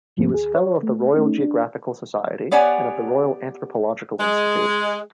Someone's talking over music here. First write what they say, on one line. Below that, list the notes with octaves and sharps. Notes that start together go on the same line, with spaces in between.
He was fellow of the Royal Geographical Society and of the Royal Anthropological Institute.
E2 G#2 F3 A3 A#3 C4
D#2 G#4
C#5
A3
A3 C#4 D#4
D4
B3 G4 C#5 D5 F#5 G#5
G#3